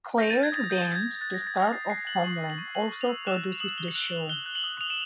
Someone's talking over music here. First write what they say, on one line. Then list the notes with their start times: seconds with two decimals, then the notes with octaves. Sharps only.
Claire Danes, the star of "Homeland", also produces the show.
0.18 G6 A#6
0.30 A6
0.35 G6
0.43 G#6
0.52 D#6 A6
0.70 D#6 G6
0.87 G6
0.95 G#6
1.03 G6
1.21 F#6 A6
1.34 F#6 A#6
1.47 A6
1.55 D#6 A#6
1.73 D#6 C7
1.89 F#6 C7
2.07 F#6 F#7
2.24 C#6 F#7
2.41 E6
2.50 F#7
2.58 C#6
2.75 G6 F#7
2.92 C#6
3.01 F7
3.09 E6
3.27 F#6 E7
3.44 F#6
3.52 F7
3.60 D#6 F#7
3.78 D#6 G7
3.94 F#6 F7
4.03 F#7
4.12 F#6
4.29 F#6 G7
4.46 F#6
4.55 F#7
4.64 D#6
4.81 D#6 F7
4.90 E7